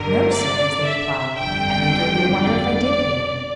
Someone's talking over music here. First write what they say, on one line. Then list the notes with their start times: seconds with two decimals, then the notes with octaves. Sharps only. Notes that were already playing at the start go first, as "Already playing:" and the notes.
"No, sir," was the reply; "I think it would be a wonder if I did hear."
Already playing: G1 G2 D3 A#4
0.32 D5
0.85 E5
1.36 G1 F2 D3 G5
2.41 D5